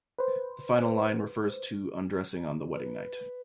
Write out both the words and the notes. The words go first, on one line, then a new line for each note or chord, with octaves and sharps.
The final line refers to undressing on the wedding night.
B4 C5
B4